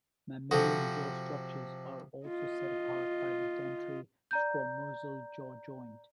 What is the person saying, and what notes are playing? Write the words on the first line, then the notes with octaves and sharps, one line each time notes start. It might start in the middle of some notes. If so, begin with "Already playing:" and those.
Mammalian jaw structures are also set apart by the dentary-squamosal jaw joint.
C3 F3 F#4 A4
F4 D#5
D5 A#5 G6